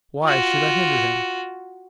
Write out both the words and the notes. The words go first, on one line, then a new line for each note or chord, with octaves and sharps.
Why should I hinder him?
F4 F#4